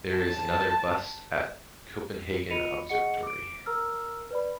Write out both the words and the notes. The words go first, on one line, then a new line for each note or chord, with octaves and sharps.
There is another bust at Copenhagen Observatory.
A5
F4 D#5 B5 C#7 D#7 F7
G#4 D#5 F#5 C#7
D6 D7
A#4 A#5 E6 F6
B4 D5 B5